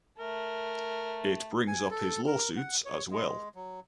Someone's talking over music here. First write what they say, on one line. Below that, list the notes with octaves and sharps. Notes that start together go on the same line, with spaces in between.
It brings up his lawsuits as well.
A3 A#4
G#5
A4
A#4
F#5
C#5
G#3
F#3